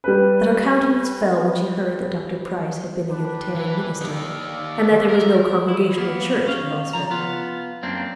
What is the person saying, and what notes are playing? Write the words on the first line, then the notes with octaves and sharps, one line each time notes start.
But her countenance fell when she heard that Dr. Price had been a Unitarian minister, and that there was no Congregational church in Rosville.
G3 B4
D4 G4 B4
E3
D#3 G4 D5 E5 F5
A#4
E4
A#3 B3
C#4 F5
F3 A#5
B3 F4
F#2 A#3 C4 D4